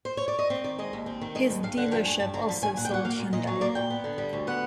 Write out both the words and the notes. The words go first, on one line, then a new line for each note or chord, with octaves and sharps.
His dealership also sold Hyundai.
C5
C#5
D5
D#5
C4 E5
D#3 D5
G#3 D#5
D#2
C4
D#3
G#3 D#5
D#2
G2 F5
D3 F#5
F3 G5
G2 G#5
G2 A5
D3 A#5
F3 A5
G2 G#5
A#2 F#5
G5
F#3 F#5
A#3 F5
A#2
A#2 D#5
F#3
A#3 D5
A#2 G5
B3
D3
G3
D2
B3 F#5